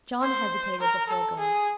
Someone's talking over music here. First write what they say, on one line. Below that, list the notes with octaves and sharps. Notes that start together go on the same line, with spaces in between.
John hesitated before going.
C5
A#4
A4
G#4